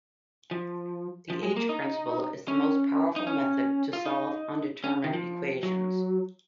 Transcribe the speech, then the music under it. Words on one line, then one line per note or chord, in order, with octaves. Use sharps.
The h-principle is the most powerful method to solve underdetermined equations.
F3
F3
G#3
A#3
D#4
C#4
D#4
C#4
F4
D#4
C#4
D#3
F3
F#3